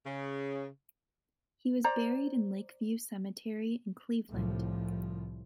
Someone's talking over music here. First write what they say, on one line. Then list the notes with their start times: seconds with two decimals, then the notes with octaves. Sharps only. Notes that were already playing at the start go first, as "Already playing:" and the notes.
He was buried in Lake View Cemetery in Cleveland.
0.06 C#3
1.84 C5 D5 A#5
4.30 C2 A2 F3